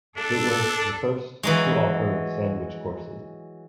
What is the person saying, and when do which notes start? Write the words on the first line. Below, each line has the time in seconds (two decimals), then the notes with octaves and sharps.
It was the first to offer sandwich courses.
0.17 D4 A4
1.43 E3 F#3 G#3